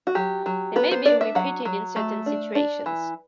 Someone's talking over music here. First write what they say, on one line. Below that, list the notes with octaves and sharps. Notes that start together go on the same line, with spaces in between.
They may be repeated in certain situations.
F#4
F#3 G4
F#3
B3 B4
C5
D4 D5
E5
F#3 F#5
F#3
A3
D4
D4
E3